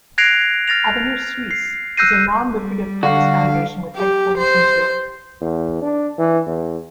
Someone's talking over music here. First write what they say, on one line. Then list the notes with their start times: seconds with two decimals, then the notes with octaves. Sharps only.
Avenir Suisse is a non-lucrative purpose foundation with headquarters in Zurich.
0.18 F#6 G#6 A#6 C7 D7 F7
0.68 F6 A6 A#6 F7
1.51 C7
1.97 E6 F#6 G6 A#6 C7 D#7
2.53 G3
3.03 D3 F#4 F5
3.96 G4
4.38 C5
5.41 E2
5.82 D4
6.19 E3
6.47 E2